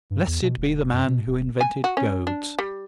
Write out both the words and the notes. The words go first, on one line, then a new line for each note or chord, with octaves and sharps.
Blessed be the man who invented goads!
G2
E2
B2
E1
F#2
B2
D#1
G#5
F#4
C#4
D4
G3